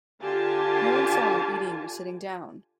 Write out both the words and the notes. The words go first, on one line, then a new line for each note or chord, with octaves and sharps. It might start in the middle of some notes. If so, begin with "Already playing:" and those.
No one saw him eating or sitting down.
D3 F4 G4 G#5 A5